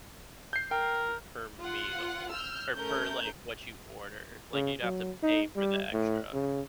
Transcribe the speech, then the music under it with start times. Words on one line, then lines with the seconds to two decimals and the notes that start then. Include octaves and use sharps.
per meal or per, like, what you order. Like, you'd have to pay for the extra
0.53 G6 C7
0.71 A#4 G5
1.60 F4 F#5
2.31 E6 F6 G6
2.76 A3 C#4 A#4 G6
4.53 C#3
4.83 F#3
5.23 D#4
5.56 G3
5.92 A2
6.33 C#3